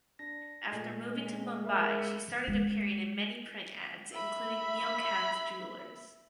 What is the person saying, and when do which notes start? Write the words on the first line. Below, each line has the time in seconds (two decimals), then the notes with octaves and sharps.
After moving to Mumbai she started appearing in many print ads including Neelkanth Jewellers.
0.19 D4 A#6
0.72 A#2 G#3 A3 C7
1.64 A#4 E5 B5
1.99 E6 B6 C#7
2.48 G#3
4.14 E5 B5